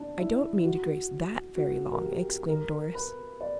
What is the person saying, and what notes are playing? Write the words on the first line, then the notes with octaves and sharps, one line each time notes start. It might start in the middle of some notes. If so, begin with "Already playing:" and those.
"I don't mean to grace that very long!" exclaimed Doris.
Already playing: D4
E4
F#4
F#4
A#4
G4
A#4
B4
D5